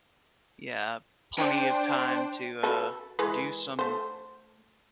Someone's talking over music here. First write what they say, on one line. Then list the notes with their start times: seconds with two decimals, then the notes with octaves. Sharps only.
yeah, plenty of time to, uh, do some
1.38 D4 C5 G5
2.63 F#4 A4 B4
3.19 E3 G#3 B4
3.79 A3 C5